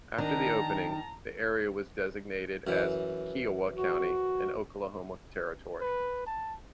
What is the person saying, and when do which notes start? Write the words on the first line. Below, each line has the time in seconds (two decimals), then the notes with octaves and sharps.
After the opening, the area was designated as Kiowa County in Oklahoma Territory.
0.18 D#3 D4 A5 A#5
2.67 F#2 E3
3.77 F#4
5.81 B4
6.27 A5